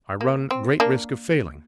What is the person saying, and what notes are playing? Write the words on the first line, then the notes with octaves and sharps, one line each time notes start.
I run great risk of failing.
A#3
C4
A#3 D4